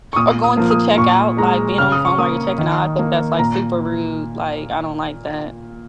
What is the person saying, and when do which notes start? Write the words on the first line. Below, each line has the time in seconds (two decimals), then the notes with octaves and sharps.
or going to check out, like, being on the phone while you're checking out, I think that's like super rude, like, I don't like that.
0.13 C#6
0.16 A#2 D#6
0.44 D#6
0.57 F3 A#3
0.71 D#6
0.97 A#2 C#6
1.37 G#3 A#5
1.78 C#3 F6
1.92 D#6
2.05 C#6
2.18 A#3 D#6
2.58 D#3
2.99 A#3
3.39 A#2 A#5